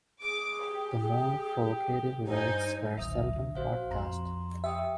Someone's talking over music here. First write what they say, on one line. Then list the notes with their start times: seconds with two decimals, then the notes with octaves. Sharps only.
The more provocative lyrics were seldom broadcast.
0.22 G#4 D6
0.65 G4
2.27 G2 D#4 C5 G#5
2.98 A1 D2 F#3 E5 D#6
3.36 D3
3.55 A#1 F#4 C5 F5
3.91 F2 A#5 C6
4.64 G4 E5 G5 D#6